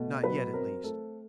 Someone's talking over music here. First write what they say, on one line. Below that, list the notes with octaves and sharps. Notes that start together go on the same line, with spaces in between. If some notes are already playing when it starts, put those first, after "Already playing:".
Not yet, at least.
Already playing: B2 A3
F#3 B4
C4 A#4
A3 A4